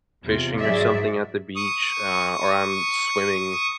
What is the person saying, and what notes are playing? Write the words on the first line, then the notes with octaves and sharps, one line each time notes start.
fishing or something at the beach, uh, or I'm swimming
E2 C3 F4
G#2 F#3 G#3 G#4 D5 E5
C#6 D#6